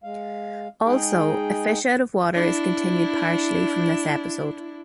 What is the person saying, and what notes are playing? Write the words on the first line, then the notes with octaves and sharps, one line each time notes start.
Also "A Fish out of Water" is continued partially from this episode.
G#3 F5
G#3 D#4 G#4 G5
D4 E4